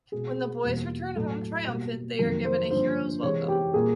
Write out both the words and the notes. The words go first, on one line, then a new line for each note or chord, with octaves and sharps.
When the boys return home triumphant, they are given a hero's welcome.
B2 G#3 G#4
E2 B2 G3 A#3
A2 F#3 A3 A4
B2 G3 A#3
F2 C3 D#3 F#3 A#3 A#4
C5
G2 D3 F3 A#3 C5
C3 E3 G#3 C#5
G4
A#2 G3 A#3 G#4